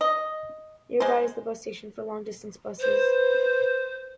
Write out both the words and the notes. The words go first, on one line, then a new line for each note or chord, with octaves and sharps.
Nearby is the bus station for long-distance buses.
D#5
G#3 C5
B4 C5